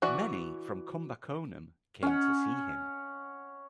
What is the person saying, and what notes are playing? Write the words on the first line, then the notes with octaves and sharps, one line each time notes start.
Many from Kumbakonam came to see him.
E3 F#4 D5
C#4 F#5